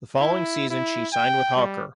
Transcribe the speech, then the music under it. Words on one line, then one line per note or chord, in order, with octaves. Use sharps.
The following season she signed with Haukar.
E4
E4
G5
G3